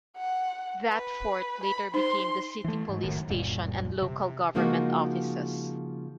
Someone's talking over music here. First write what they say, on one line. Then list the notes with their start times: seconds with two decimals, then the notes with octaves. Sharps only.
That fort later became the city police station and local government offices.
0.17 F#5
0.89 B4
1.64 B5
1.94 D#4 C5 C6
2.64 E3 A3
2.89 G#2
3.03 F#1 F#2 A2 D#3
3.29 D1 F#2 A#2 G3
4.02 C3
4.55 C#3 F3 G#3 A#3 D#4 F#4